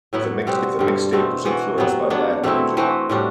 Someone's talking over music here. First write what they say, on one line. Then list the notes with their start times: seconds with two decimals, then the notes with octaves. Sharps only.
The mixtape was influenced by Latin music.
0.13 A2 F#3 B3 E4
0.47 B2 G3 C4 F#4
0.79 G2 D3 G3
1.13 B2 A3 C4
1.45 E3 B3 F#4
1.78 C3 F#3 B3
2.10 F#3 B3 D4
2.43 B2 A3 C4 E4
2.77 E3 A3 C4 F#4
3.09 A2 G3 D4 F#4